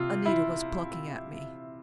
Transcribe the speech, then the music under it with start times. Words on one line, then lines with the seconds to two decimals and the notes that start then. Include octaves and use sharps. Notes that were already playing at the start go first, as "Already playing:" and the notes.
Anita was plucking at me.
Already playing: C3 F4
0.26 E4